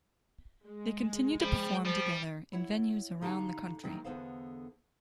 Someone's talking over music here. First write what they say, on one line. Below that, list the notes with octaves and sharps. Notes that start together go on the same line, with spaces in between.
They continue to perform together in venues around the country.
G#3
F3 G5 B5
F3 G3
E4 C#5 E5 F#5
D3 D#4 G4 F5 A5
D#3 E3 F#3 G3 A#3
E2 G2 D3 B3 C5 F5